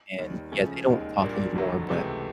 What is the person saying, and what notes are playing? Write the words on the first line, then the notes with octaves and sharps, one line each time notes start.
and yeah, they don't talk anymore, but,
D#2 D#3 G3
C#2 C#3 F3 A3 C#4
E1 D#2 D#3 G#3
A#1 A#2 G3 A#3 D4
F1 F2 D3 F#3 A3
C#2 C3 E3 A3